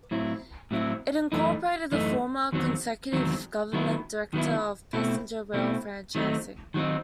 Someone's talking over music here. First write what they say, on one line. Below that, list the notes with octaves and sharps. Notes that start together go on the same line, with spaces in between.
It incorporated the former Conservative government's Director of Passenger Rail Franchising.
A2 F#3 C4 E4
A2 F#3 C4 E4
F#2 E3 A3 D#4
F#2 E3 A3 D#4
E2 D#3 F#3 C4
E2 D#3 F#3 C4
D#3 F#3 B3 E4
D#3 F#3 B3 E4
B2 A3 C4 E4
B2 A3 C4 E4
D#3 F#3 A3 C4 D#4
D#3 F#3 A3 C4 D#4